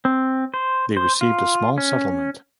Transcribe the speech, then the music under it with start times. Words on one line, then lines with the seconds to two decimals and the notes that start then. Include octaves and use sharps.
They received a small settlement.
0.05 C4
0.54 C5
0.97 C5
1.21 F4
1.78 C#4